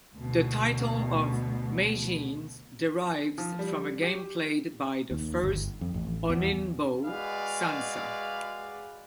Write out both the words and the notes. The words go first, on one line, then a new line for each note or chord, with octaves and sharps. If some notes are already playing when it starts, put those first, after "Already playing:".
The title of "Meijin" derives from a game played by the first Honinbo, Sansa.
D2 B2
F3
G3
G4
D#2
G1
F2
A1
E2
G#3 F#4 G#4 B4 D5 F5